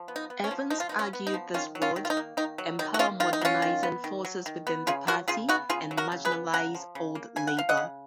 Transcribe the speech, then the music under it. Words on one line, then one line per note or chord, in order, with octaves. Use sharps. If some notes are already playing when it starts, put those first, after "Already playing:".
Evans argued this would "empower modernising forces within the party and marginalise Old Labour".
Already playing: F3
B3
D#4
B3
C#4
F3
F3 D#4
F4
D#4
B3
C#4
B3
D#4
F3
D#3 C#4 F4
F#3
C#4 F4
D#3
F4
D#4
A#3
D#3 D#4
F#3
D#3 D#4
F#4
A#3 C#4 F4
D#3 F4
D#4
F#3 C#4 F4
D#3
B3
D#3
F#3
D#3
B3
C#3 F4 G#4
F#3 F#4 A#4
C#3 F4 G#4
B3 D#4 F#4
C#3 F4 G#4
F#3
F#4 A#4
C#3
G#4 B4
B3
C#3 F#5 A#5
F3
C#3
A#3
C#3 G#5
F#5
F3 F5
D#5 F#5
C#3